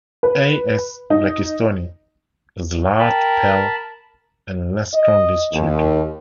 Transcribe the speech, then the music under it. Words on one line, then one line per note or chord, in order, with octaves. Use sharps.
"A. s. blakistoni" is large, pale and less strongly streaked.
B4
D#4
A#4 G5 A5 B5
D#5
D#2